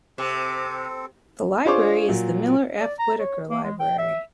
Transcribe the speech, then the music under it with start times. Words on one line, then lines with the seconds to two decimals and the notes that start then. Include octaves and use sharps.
The library is the Miller F. Whittaker Library.
0.18 C3 C4 A4 D6
1.65 D4 F4 G#4 C5 C#5 D6
2.08 A#2 F#3
2.80 D5
2.99 A#5
3.19 C#5
3.50 A#3
3.64 G#3
3.79 G5
3.98 E5